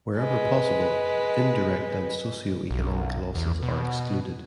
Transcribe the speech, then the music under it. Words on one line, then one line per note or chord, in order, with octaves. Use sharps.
Wherever possible, indirect and socioeconomic losses are excluded.
G#3 B4
B1
E2
B2